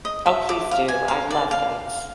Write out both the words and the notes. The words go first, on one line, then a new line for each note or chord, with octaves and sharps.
Oh, please do, I love this.
D#5
E5
D6
F5
G#5
F5
D5
F5